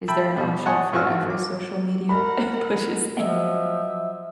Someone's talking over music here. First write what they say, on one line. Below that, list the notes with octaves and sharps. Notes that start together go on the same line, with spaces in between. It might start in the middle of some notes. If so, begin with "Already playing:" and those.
is there an option for every social media pushes
E5 G5 A5 B5
B2 G3
C#5 D#5 F#5 G#5 A5
G#1 F4 F#4 C#6 E6 F6
D6
A#4 F#5 B5
F3 F#3 D#5 E5